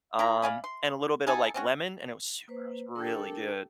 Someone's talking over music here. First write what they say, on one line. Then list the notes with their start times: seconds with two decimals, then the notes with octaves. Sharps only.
um, and a little bit of, like, lemon, and it was super was really good.
0.19 E4 A#4 A#5
0.42 D5 F5 G#5 B5
0.64 C6
1.27 D#4 E4 A4 G#5
1.54 C4 C#4 F#4
2.48 A#3 B4 C5
2.95 D4 G4 A4 A#4